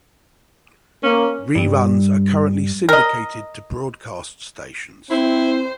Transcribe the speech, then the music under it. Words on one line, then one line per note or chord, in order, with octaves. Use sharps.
Reruns are currently syndicated to broadcast stations.
A#3 C#4
G2
A#4 D#5
C4 E4 C5